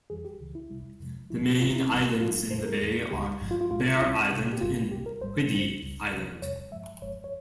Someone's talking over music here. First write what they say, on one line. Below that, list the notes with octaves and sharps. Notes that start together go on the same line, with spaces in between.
The main islands in the bay are Bere Island and Whiddy Island.
F2 E3 G3 G#4
G4
C#2 C#3 E3
E4
C2 C3 G3
F2 C3 F3 G#3
C2 A#2 F3 G#3 E4
G#1 G#2 E3 G#3 F4
E4
G#1 G#2 E3 G3 E4
G2 F3 G#3 F4
E2 C#3 G3 C5
A#4
E2 E3 G#3
C#2 C#3 G3 G4
G#1 G2 F3 G#3
F4
F4
C2 A#2 G#3 F4
F4
C#2 C#3 G3 E4
C2 C3 G3
G4
G1 G2 G3 F4
C2 C3 G3 G4
A#4
G#1 G#2 G3 C5
A#1 G#2 F3
C#2 C#3 G3
C2 C3 G3
E2 C3 G3 C#5
G2 F3 G#3 E5
G1 G2 F3 G#3 C#5
C#5